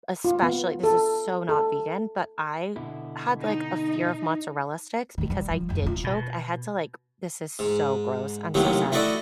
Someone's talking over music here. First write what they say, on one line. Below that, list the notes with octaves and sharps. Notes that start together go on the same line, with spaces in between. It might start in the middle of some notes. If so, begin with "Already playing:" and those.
especially- this is so not vegan- but I had, like, a fear of mozzarella sticks because I did choke, I had to, like- this is so gross, I'm so sorry-
F4
B3
A4
A4
B2 D3 E4
D#4
D#3 G#3
G3
F3
F#1 D#2
C#3 F4
B2
G#2
D#2 A2 C3 D#3 F#3
A3 E4 F#4 A4 D5 D#5